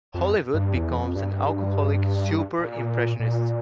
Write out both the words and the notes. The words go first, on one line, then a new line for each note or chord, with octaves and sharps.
Hollywood becomes an alcoholic 'super-impressionist'.
F2
G2
E2
F2
G2
A#2
A#2